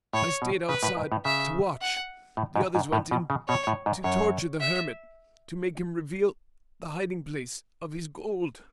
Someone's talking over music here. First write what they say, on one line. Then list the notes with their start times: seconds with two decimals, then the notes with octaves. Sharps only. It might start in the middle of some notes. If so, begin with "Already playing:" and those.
"I stayed outside--to watch--the others went in--to torture the hermit--to make him reveal--the hiding-place--of his gold."
0.13 A2 C#5
0.42 B2
0.69 C#3 B4
0.83 A2
0.97 G#2
1.12 A2
1.25 C#3 E5
1.81 F#5
2.37 A2
2.56 G#2
2.75 G#2
2.92 A2
3.11 B2
3.30 C#3
3.48 B2 C#5
3.67 A2
3.86 G#2
4.04 F#2 C#5
4.60 E5